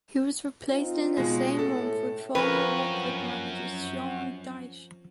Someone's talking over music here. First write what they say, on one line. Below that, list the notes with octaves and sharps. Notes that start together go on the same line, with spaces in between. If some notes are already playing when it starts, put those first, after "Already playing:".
He was replaced in the same month with former Watford manager Sean Dyche.
C4 D#4 F4
B2 G#3
A2 A4
F#2 F3 C4 A#4 B4 C#5